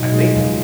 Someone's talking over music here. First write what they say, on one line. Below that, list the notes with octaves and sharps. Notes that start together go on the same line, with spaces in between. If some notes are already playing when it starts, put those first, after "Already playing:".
I think
Already playing: B2 F#3 D#4
G#3
C#2